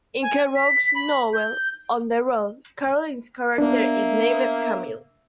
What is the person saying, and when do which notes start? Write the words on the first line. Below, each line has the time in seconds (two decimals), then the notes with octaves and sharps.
In Kerouac's novel "On the Road" Carolyn's character is named "Camille".
0.22 G#5
0.55 B6
0.95 B5
1.33 G6
3.58 A#3 B3 D4 E5